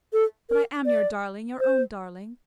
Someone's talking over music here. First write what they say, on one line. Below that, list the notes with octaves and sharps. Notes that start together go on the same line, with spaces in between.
But I am your darling, your own darling.
A4
A#4
D5
C5